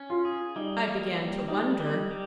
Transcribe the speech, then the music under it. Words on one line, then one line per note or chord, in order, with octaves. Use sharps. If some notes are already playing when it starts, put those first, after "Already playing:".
"I began to wonder."
Already playing: C#4
F4
G#4
G3 D#4
A#3
G3
G3 D#4
G3
G3